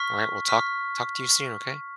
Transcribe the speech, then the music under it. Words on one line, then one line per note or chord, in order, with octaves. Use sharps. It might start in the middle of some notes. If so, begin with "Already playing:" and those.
Alright, well talk talk to you soon, okay?
Already playing: C#6 F6 B6
C#6 F6 B6